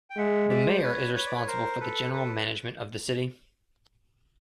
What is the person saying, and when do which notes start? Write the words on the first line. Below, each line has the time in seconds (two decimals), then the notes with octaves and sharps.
The mayor is responsible for the general management of the city.
0.10 G5
0.17 G#3 E5 F#5
0.50 D5 E5
0.66 C5 D5
0.83 B4 C#5
1.15 B4 C#5
1.26 D5
1.37 C#5
1.47 A#4 C5
1.80 A4 B4
2.12 A4 B4